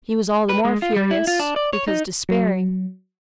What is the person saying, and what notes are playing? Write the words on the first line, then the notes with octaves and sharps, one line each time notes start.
He was all the more furious, because despairing.
B4
G#3
F4
G3
E4
F4
D4
D5
C#5
D#4
F#3